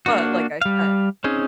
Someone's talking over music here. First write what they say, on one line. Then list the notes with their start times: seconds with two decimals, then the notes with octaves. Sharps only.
But like I said,
0.06 A#3 D4 F#4
0.61 G3 F5
1.24 C4 C#4 D#4 G#4